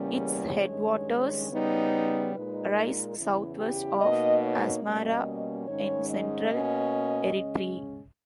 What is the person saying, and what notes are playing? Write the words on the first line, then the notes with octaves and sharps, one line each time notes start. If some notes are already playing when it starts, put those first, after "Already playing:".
Its headwaters rise south-west of Asmara in central Eritrea.
Already playing: E2 C#3 G3 A#3 C#4
C#5
G2 D#3 G#3 C#4
C#3 G3 B3 D#4
A#2 G#3 D#4 B4
A#4
E2 C#3 E3 E4
G4
B2 A#3 D#4 D#5
C#5
B2 G3 A#3 C#4 D#5
G#2 D#3 G#3 C#4 C#5
D#5
B2 A#3 C#4
C#3 G#3 C#4